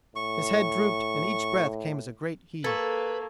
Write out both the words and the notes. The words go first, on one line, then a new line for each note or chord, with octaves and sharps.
His head drooped and each breath came as a great heave.
A2 C#6
A#3 A4 B4 A5 C#6 G#6